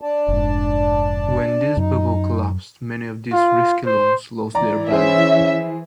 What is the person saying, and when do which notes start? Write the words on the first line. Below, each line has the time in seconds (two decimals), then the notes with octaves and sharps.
When this bubble collapsed, many of these risky loans lost their value.
0.01 D4 D5 A5
0.28 F1 G#2
1.77 F#2 D#4
3.31 F4
3.85 C5
4.55 E3 D5 A#5
4.90 C#4 E4 G#4 C5 E5